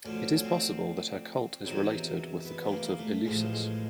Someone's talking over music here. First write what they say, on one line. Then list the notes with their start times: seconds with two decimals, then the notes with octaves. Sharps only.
It is possible that her cult is related with the cult of Eleusis.
0.05 D2 D3 F3 C#4
0.36 C#4
0.44 C4
1.65 E2 C3 D#3 F#3
2.45 B3
2.67 A3
2.72 A#3
2.99 A3
3.25 A1 A2 F3 G#3
3.53 G#3